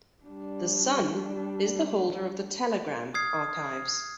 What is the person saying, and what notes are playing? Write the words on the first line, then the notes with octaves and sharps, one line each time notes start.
The "Sun" is the holder of the "Telegram" archives.
G3 D4
D#6 F6 G#6 C7